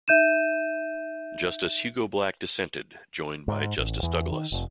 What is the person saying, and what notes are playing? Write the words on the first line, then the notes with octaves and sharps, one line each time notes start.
Justice Hugo Black dissented, joined by Justice Douglas.
D#4 E5 G6 D#7 E7
G#2
A1
E2
D#3
F1